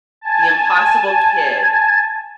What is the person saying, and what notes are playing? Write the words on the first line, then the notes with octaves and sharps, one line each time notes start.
The Impossible Kid.
G#5 A5